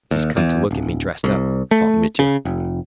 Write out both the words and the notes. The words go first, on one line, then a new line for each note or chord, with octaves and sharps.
"He's come to look at me dressed up," thought Mitya.
D#2
E2
D1
C2
A3
C#3
F1